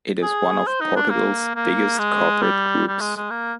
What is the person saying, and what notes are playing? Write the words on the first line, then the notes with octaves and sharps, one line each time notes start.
It is one of Portugal's biggest corporate groups.
G#4
C5
D#4
D4
A#3
A#3
G#3
G3
G3
G#3
G#3
A#3